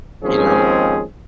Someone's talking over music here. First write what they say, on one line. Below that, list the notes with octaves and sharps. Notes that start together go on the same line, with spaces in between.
you know?
D#2 F3 G#3 C4 C#4 G#4